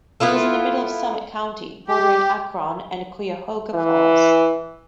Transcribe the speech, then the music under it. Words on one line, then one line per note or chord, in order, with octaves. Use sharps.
It was in the middle of Summit County, bordering Akron and Cuyahoga Falls.
B3 E4 F4 A4
G4
E3